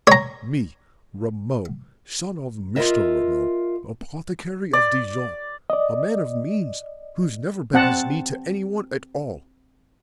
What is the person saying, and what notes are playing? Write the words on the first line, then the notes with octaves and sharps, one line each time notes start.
Me, Rameau, son of Mr. Rameau, apothecary of Dijon, a man of means, who's never bent his knee to anyone at all!
C#5 A#5
F4 G#4 A#4 D#5 E5
D5
D5 D#5
C4 F#5 A5